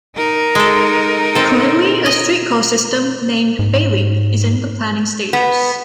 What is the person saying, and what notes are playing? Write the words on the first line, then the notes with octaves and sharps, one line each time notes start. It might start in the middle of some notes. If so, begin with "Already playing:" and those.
Currently, a streetcar system, named 'Baylink' is in the planning stages.
D#4 A#4
G#3 A4
C4 A4
D#5
G#2
B3